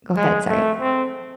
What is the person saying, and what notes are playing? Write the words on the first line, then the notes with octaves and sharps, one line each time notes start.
Go ahead, sorry.
G#3
A3
C4